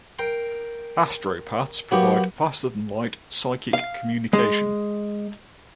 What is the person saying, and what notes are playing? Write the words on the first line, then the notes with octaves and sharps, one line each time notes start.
Astropaths provide faster-than-light psychic communication.
A#4 G5 A#5 C6
F#3 A#3 B3 F#4 G4
F5
G#3